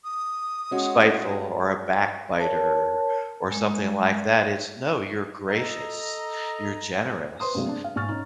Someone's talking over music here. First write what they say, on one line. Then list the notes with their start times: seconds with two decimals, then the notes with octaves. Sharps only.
spiteful or a backbiter or something like that, it's, no, you're gracious, you're generous,
0.04 D#6
0.71 G#3 C#4 F#4
2.40 A#4 C#5 A5
3.52 G#3
5.48 A4 D#5 A#5
7.40 B4 C5 C6 D#6
7.55 G2 C3 F#3 G#3
7.68 G#3 D4
7.84 F5
7.96 G#2 G#5 C#6 F6 A6
8.09 C#4 D#4